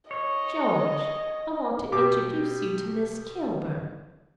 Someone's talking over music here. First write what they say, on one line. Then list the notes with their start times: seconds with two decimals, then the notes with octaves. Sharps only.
"George, I want to introduce you to Miss Kilburn."
0.11 C#5 D#5
1.92 B2 G4 D6